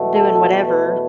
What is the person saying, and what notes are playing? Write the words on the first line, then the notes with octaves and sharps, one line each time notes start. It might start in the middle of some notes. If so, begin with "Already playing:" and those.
doing whatever,
Already playing: E2 B2 A3
A4
B4